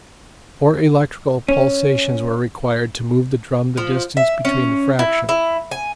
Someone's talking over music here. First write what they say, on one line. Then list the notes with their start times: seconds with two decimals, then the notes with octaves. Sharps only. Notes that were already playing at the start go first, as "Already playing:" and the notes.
Four electrical pulsations were required to move the drum the distance between the fractions.
1.48 C#4
3.77 F3
4.17 E5
4.45 C#4
4.99 E4
5.29 E4
5.71 G#5